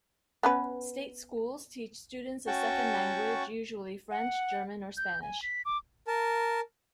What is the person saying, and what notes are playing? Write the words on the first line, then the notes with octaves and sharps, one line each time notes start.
State schools teach students a second language, usually French, German or Spanish.
B3 C#4 B4
C#4 F#4 F#5 G5 A5 C#6
F#5
G6
G#5
B6
D6
A#4 A5